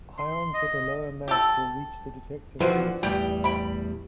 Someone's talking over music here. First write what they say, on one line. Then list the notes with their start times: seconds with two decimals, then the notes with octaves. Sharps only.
Ions with a lower mass will reach the detector first.
0.18 C6
0.54 D#5
1.28 G4 A4
2.60 D3 E3 F3 B3 C4 F#4
3.03 E2 A2 G3 G4 G5
3.44 G5 B5